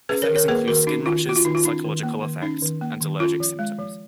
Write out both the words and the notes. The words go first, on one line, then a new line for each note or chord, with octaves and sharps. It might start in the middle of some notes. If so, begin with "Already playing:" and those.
Effects include skin rashes, psychological effects, and allergic symptoms.
C#4 G#4 B4
A#4 C#5
D#3
A#4 C#5
A#3 G#4 B4
D#3 F#4 A#4
C#4 D#4 F#4
D#3 F4
A#3 F#4
F4
D#3 D#4
F4
C#4 D#4
D#3
A#3
D#3
C#4 D#4
D#3
A#3
D#3
C#4 F4
F3
G#3
F3